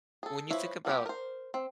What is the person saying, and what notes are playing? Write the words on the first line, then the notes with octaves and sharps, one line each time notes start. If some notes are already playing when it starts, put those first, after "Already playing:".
when you think about
G#4 A4
F3 E4 B4 C#5
G3 B3 F#4 G4
A#4 C5
C4